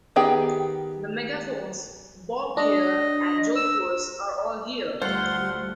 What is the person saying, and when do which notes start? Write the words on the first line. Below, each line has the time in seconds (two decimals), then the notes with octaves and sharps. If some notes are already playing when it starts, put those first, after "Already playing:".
The megaphones, bobbed hair and jodhpurs are all here.
0.16 D#3 B3 G4 G#4 G5
2.57 D4 D#5
3.56 E6
5.02 D2 G3 A3 F4 C5 F#5 C6